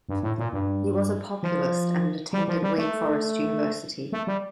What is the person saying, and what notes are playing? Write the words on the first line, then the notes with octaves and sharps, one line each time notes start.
He was a Populist and attended Wake Forest University.
G2
A2
A#2
G2
F3
G3
F3
G3
A3
A3
G3